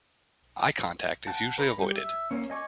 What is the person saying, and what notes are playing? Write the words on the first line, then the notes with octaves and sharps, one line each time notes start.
Eye contact is usually avoided.
F#5 G5 A5
B4 A#5 B5
G3 G4
E5
A#3 C#4
D#5 G#5 C#6 D6